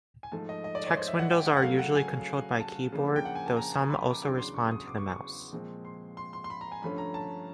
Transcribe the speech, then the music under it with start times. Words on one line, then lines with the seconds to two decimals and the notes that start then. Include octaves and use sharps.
Text windows are usually controlled by keyboard, though some also respond to the mouse.
0.23 G#5
0.32 G#2 F3 A3 A5
0.49 D#5
0.64 D#5
0.75 D5
0.86 C#5
0.97 C5
1.08 E5
1.19 F#5
1.30 G5
1.46 F#5
1.57 F#5
1.62 C#3 F#3 A3 F5
1.79 F#5
1.95 G#5
2.60 A5
2.92 C#3 F3 A#3 D4
3.16 G5
3.25 F#5
3.35 G#5
3.46 A5
3.57 A#5
3.73 A#5
3.90 B5
4.11 D6
4.22 E2 C#3 F#3 B3 D4 D6
4.38 C6
4.54 C#6
4.71 D#6
4.87 D6
4.98 C#6
5.09 C#6
5.53 A#2 F3 G#3 C4
5.85 C6
6.17 C6
6.33 C6
6.44 C6
6.50 B5
6.61 A#5
6.72 G#5
6.82 G2 D3 F3 A3 C#4 B5
6.98 A#5
7.14 A5